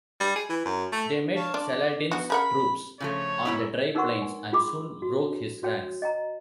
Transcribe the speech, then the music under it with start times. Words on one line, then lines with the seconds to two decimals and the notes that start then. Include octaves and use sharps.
They met Saladin's troops on the dry plains and soon broke his ranks.
0.21 G3
0.36 G#4
0.49 E3
0.65 F#2
0.92 A3
1.36 C#5 F5 A5
1.54 D4 F4 D5
2.11 B3 C#4 F#4
2.30 C#3 A#4 F#5 B5
3.00 C#3 F3 A3 C#5
3.45 G#2 E4 E5
3.95 D#4 A#4 B4 F#5 C6 C#6
4.22 G#5
4.53 F4 G#4 G5 B5 C6 D6
5.02 F#4
5.63 F#4 C#5 G5
6.02 D#5 G5 A#5